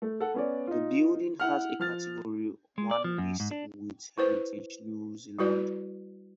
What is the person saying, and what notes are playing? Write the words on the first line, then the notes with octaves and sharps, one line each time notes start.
The building has a Category One listing with Heritage New Zealand.
A3
A4 F#5
B3 C#4 D5
D#4 F4
E4 F#5 F6
F3 F6 A6
G#3
D5
F3
F#2
G#2
D4
E4 B4 C5
G3 E4 F#4 B4 D5